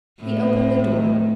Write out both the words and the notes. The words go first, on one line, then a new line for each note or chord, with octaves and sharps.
He opened the door.
A2